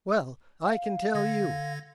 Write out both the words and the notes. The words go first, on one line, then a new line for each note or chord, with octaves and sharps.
Well, I can tell you.
F5
D3 G#6 A#6